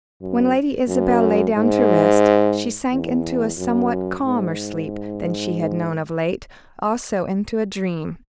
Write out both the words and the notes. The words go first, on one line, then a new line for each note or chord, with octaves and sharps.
When Lady Isabel lay down to rest, she sank into a somewhat calmer sleep than she had known of late; also into a dream.
F#2
F#2
G#2
E2
F#2
G#2